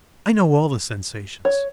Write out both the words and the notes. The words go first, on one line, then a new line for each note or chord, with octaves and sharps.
I know all the sensations.
C#5